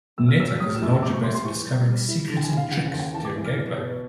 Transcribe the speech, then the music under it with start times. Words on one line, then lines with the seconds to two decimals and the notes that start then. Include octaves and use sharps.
"NetHack" is largely based on discovering secrets and tricks during gameplay.
0.18 F#2 E6
0.29 F6
0.39 F#3 E6
0.51 F6
0.60 F#3 D#6
0.69 F6
0.75 E6
0.82 F#2
0.89 E6
1.03 G3 D6
1.14 C#6
1.24 C3 C6
1.35 C6
1.45 E3 C#6
1.67 G3
1.87 G3
2.08 E4
2.29 D3
2.37 G5
2.44 G#5
2.51 E4
2.57 F5
2.72 C#3 F#5
2.87 F#5
2.94 D#2
3.00 G5
3.14 E3 A5
3.25 D6
3.36 E3
3.46 F6
3.56 B2
3.78 B2